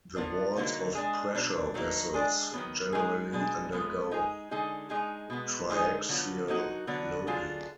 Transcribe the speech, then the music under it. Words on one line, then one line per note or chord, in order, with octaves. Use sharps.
The walls of pressure vessels generally undergo triaxial loading.
D3 F3 B3 D4
D3 F#3 A#3 D#4 F#4
G#3 D4 G#4
B2 F#3 D4
D#3 F#3 A#3 D#4
G#3 D4 G#4
D#3 F#3 B3
G#3 D#4 G#4
B2 G#3 D4 G#4
F3 G#3 B3 F4
G#3 D#4 G#4
D3 G#3 D#4 G#4
G#3 D#4 G#4
B2 G#3 B3
D3 G#3 D#4 G#4
D3 F#3 B3 F4
F#3 A#3 D#4 F#4
D3 F#3 B3 D4 F#4
D3 F#3 D4 F4 G#4